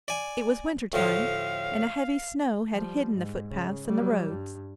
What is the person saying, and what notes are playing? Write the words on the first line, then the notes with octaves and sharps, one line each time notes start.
It was winter time, and a heavy snow had hidden the foot-paths and the roads.
D5 G#5
D2 A2 F3 F5
F3 G3
G#2
C#3
F#3 G3
G2